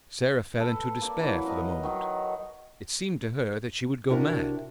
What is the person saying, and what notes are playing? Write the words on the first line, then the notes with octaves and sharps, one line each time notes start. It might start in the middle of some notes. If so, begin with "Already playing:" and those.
Sarah fell into despair for the moment: it seemed to her that she would go mad.
A4 B4
A#3 D5
E3 F#3
A#4 B4 D#5 A5
D#3 F#3 D#4
C3 D4 E4 F#4 A#4